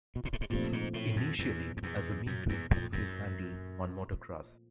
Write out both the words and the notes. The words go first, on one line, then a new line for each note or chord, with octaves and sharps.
Initially as a mean to improve his handle on motor cross.
B2
A#2
A2
G#2
G2 A#2 F3 A3 C4
G#2
A2
F2
E2
F2
E2
F#2
E2
F2
F#2